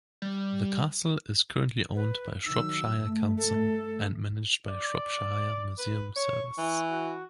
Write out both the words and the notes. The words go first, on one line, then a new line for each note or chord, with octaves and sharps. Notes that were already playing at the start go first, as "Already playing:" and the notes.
The castle is currently owned by Shropshire Council, and managed by Shropshire Museum Service.
G3
B4
D#3 F#3 E6
G2 A3
A4
D5
B4
C#5 C#6
E3
F#4